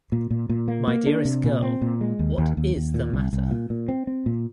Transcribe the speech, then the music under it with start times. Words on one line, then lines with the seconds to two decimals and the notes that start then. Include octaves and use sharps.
My dearest girl, what is the matter?
0.12 A#2
0.31 A#2
0.49 A#2
0.68 A#3
0.87 A#3
1.06 D4
1.25 C3
1.44 A#2
1.63 C4
1.82 A#2
2.01 G#3
2.19 D#2
2.38 D#2
2.57 D#2
2.76 D#2
2.94 A#2
3.13 C2
3.33 C2
3.51 A#2
3.70 A#2
3.88 C4
4.07 C4
4.26 A#2